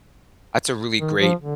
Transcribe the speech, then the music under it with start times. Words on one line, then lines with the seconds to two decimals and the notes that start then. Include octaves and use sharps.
That's a really great,
1.00 D#3
1.19 F3
1.39 D3